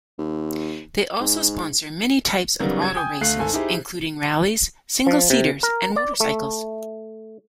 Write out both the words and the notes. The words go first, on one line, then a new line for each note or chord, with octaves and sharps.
They also sponsor many types of auto races including rallies, single-seaters, and motorcycles.
D#2
G#2
C#3 F#3 G3 B3 D#4 A#4
G#6
G5 G#5 D#6 G6
D2 A3 F5 F#6 C7
G#1 A4 G#5
D#4 E4 G4 G#4 C5
F3
C3
A#4
D5
A3